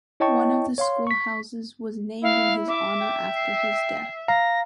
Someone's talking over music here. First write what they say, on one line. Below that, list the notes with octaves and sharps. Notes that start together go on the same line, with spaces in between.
One of the schoolhouses was named in his honour after his death.
E4 C#5 D#5 G5 A5 C#6
C#5 F5 C6
C#6 B6
E4 F5
E5 D6
G5
C7
F5 A#5 A#6